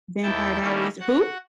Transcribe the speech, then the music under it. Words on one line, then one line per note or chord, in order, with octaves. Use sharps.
Vampire Diaries Who?
D#2 E4 G5 A5
D#3 G3 A3 A#3 C#4 E4
F#4 F#5